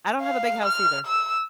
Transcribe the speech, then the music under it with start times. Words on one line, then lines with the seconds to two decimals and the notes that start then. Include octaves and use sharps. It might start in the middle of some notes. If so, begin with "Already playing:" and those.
I don't have a big house either.
0.21 F5
0.65 F6
1.06 E6